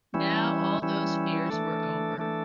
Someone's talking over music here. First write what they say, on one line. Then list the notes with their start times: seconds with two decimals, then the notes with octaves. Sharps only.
Now all those fears were over.
0.14 E3 G3 C#4 E4
0.82 E3 G3 C#4 E4
1.50 E3 A3 D4 A4
2.18 E3 A3 D4 A4